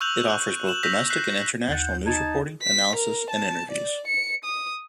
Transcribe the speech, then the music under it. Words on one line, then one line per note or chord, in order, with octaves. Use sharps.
It offers both domestic and international news reporting, analysis, and interviews.
C#6 E6 F#6 G6 F7 F#7
F#6
E7 F#7
E6 G6 A#6 B6 F7
F#6 B6 C7
D#2 F#5 G6 A6
D#4 A5 G#6
B6
A#4
A5
D5
C#7
D#6